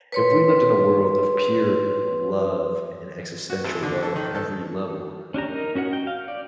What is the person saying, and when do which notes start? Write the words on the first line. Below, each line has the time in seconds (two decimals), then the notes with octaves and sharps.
if we lived in a world of pure love and existential love on every level
0.12 B4 C#5 C6
3.50 F#4
3.64 G#1
3.83 D3
4.03 A4
4.16 D#3
4.35 A4
5.34 C#4 D4 G4 A#5
5.48 D#4 A#4
5.75 C#4 F#4 A#4 F#5
5.93 G5
6.07 F5
6.28 D5